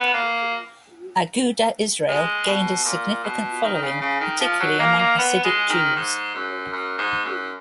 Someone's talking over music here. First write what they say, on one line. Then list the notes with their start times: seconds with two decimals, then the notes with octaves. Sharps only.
Agudath Israel gained a significant following, particularly among Hasidic Jews.
0.01 B3
0.14 A#3
2.08 G#3
2.47 B2
2.85 A#2
3.24 B2
3.63 D#3
3.74 D#3
3.83 C#3
4.02 C#3
4.21 D#3
4.40 F3
4.60 F#3
4.80 A#3
4.99 A#3
5.19 B3
5.44 G#3
5.70 D#3
5.96 G#2
6.35 F#2
6.73 F#2
6.98 G#2
7.25 F#2